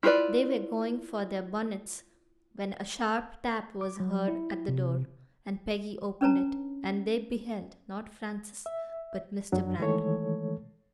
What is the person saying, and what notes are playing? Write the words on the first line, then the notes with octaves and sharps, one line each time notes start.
They were going for their bonnets, when a sharp tap was heard at the door, and Peggy opened it, and they beheld, not Francis, but Mr. Brandon.
E4 F4 G#4 B4 D5
D6
F#3
E4
C3
C#4 D4 B4 C#5 A5 A#5
E5
F#2 F#3 D4
D#3 E3 G#3 A3 A4 C#5